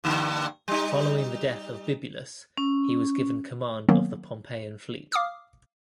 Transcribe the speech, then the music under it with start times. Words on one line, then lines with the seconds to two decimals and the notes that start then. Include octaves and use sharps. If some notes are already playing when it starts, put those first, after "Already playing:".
Following the death of Bibulus he was given command of the Pompeian fleet.
0.04 G2 D3 A#3
0.68 G3 D#4
2.58 C#4
3.89 D#3 F#3 A#3 B3 C#4
5.12 F5 D6 D#6 F6